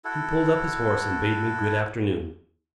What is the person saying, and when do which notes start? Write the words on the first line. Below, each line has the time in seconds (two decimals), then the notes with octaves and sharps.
He pulled up his horse and bade me good-afternoon.
0.05 E4 F#4 A4